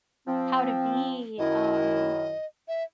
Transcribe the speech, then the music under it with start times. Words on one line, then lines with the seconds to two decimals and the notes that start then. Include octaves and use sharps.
how to be, um,
0.27 F3 C4
1.38 F#2 D#3 E4 D#5
2.68 E5